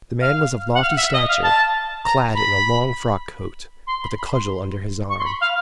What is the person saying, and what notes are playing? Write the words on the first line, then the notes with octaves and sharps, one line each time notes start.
The man was of lofty stature, clad in a long frock-coat, with a cudgel under his arm.
F5
F#5
F5
E5
D#5
F5
A5
A#5
B5
C6
B5
B5
C6
C#6
C6
B5
F5